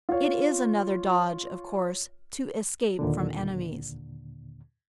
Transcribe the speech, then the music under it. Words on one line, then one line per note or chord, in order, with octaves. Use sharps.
It is another dodge, of course, to escape from enemies.
F4 C#5
D#2 A#2 D3